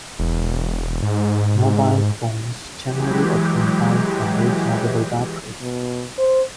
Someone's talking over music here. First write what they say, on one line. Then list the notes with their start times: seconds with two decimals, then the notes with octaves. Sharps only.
Mobile phones generally obtain power from rechargeable batteries.
0.19 E1
1.03 G#2
2.85 E3 F#3 G#3 G4
5.62 B2
6.18 C5